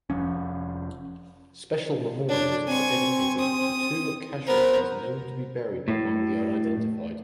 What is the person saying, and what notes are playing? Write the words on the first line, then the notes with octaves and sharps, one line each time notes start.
Special memorials are dedicated to two casualties known to be buried among the unidentified.
F1 F#2 F3 C#4
D4 C#5
C4 G#5 C#6
D#6
B3 A#4 C5
A2